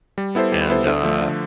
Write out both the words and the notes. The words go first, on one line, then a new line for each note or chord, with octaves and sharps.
and, uh
G3
B3 E4 A4 C5
G3
B3 E4 A4 C5
D3
F3 A3
D3